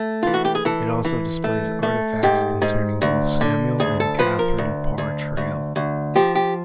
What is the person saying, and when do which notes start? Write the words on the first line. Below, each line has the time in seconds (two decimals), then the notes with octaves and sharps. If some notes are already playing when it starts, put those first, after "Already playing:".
It also displays artifacts concerning both Samuel and Catharine Parr Traill.
Already playing: A3
0.23 E3 F4
0.34 F#4
0.45 G4
0.55 G#4
0.65 E3 A4
1.05 E3
1.44 A3
1.83 A3
2.23 G#2 G4
2.62 G#2
3.02 D2
3.41 D3
3.80 D2 G#4
4.00 A4
4.19 F3 B4
4.39 A#4
4.58 D2
4.98 D2
5.37 D2
5.76 D2
6.16 F3 G4
6.35 G4